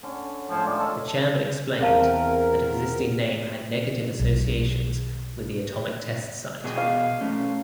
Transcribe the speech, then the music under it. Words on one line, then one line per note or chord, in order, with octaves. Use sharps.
The Chairman explained that existing name had negative associations with the atomic test-site.
D3 C#4
A2 F3 G#3
D#3 F4 D5
A4 C#5 D#5
E2 C4 A#4 C5 F5 A5
B1
B2 B3 G#4
F5
A3 C#4